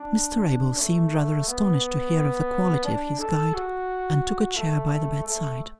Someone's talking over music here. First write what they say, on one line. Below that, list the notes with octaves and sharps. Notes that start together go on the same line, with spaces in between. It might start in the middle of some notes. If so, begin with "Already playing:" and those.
Mr Abel seemed rather astonished to hear of the quality of his guide, and took a chair by the bedside.
Already playing: D4
A3
B3
D4
A4
F#4
A3
A3